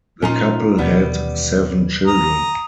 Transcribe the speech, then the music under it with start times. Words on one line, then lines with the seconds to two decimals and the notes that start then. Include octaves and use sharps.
The couple had seven children.
0.22 A#2 C#4 D#4 F4
0.78 D#2 B2 E3 G3 B3
2.07 A#5 D#6